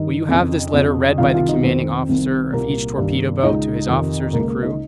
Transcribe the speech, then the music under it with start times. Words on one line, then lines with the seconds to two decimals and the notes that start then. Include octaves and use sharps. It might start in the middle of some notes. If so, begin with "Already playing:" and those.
Will you have this letter read by the commanding officer of each torpedo boat to his officers and crew?
Already playing: G2 D#3 D#4 D#5
0.29 F2 C#3
0.73 F2 C#3
1.18 C2 C3 D#3 F4 F5
1.33 F4 F5
1.48 D#4 D#5
1.64 F2 D#3 C4 C5
2.09 C2 C3 D#3
2.53 C2 A#2 A#3 A#4
2.98 G2 D#3
3.43 C#2 C#3 D#4 D#5
3.88 F2 C3 D#3
4.33 C#2 C#3 A#3 A#4
4.48 A#3 A#4
4.63 D#4 D#5